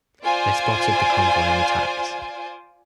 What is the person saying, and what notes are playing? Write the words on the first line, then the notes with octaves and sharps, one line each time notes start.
They spotted the convoy and attacked.
F4 C5 D5 G#5